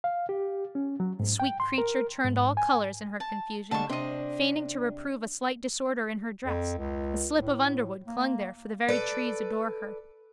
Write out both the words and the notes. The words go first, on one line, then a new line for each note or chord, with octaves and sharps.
The sweet creature turned all colours in her confusion, feigning to reprove a slight disorder in her dress: a slip of underwood clung there for the very trees adore her.
F5
G4
C#4
F#3
G#2
G5
C6
A#4
G#2
G#5
A5
D3 G3 G#3 A5 C#6
C3 D4 C5 D#5
F2
C#2
A2
A#3
A4 B4 D5